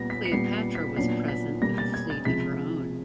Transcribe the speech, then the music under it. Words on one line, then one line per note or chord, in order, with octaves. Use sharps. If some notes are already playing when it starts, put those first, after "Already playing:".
Cleopatra was present with a fleet of her own.
Already playing: A#2 G3 B3 A#6
B6
C#7
A#2 G3 B3 C7
C7
B6
A#2 F#3 B3 D4 C7
B6
B2 G3 A#3 A#6
A6
G#6
A6
C3 F3 G#3 B6